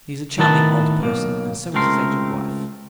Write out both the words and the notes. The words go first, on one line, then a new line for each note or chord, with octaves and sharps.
He is a charming old person, and so is his aged wife.
A2 D#3 B3 A#4 B4 A5
B1 A#3
C#2 A3 C4 A#4 C6